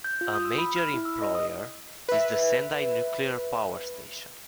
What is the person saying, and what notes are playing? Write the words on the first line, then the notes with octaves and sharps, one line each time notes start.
A major employer is the Sendai nuclear power station.
G6
F4
D#6
E6
B5
F6
E4
E6
D#5
D#6
B4 E5